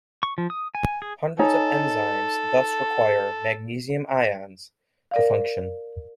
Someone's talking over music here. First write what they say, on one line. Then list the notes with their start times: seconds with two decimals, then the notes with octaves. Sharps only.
Hundreds of enzymes thus require magnesium ions to function.
0.23 C#6
0.38 F3
0.50 D#6
0.75 G#5
1.02 G#4
1.39 D#4 A4 C#5 G#5
5.11 A#4 D5 F5